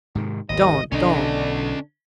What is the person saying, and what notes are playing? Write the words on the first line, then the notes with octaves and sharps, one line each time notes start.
'Don't, don't!
G#2 C3 D#3
G#1 D#2 D#5
B1 D3 C#4 D4 D#5